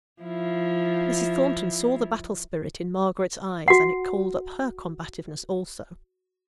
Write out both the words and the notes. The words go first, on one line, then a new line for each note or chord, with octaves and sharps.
Mrs. Thornton saw the battle-spirit in Margaret's eyes, and it called up her combativeness also.
F3 E4 F4
F#4 F#5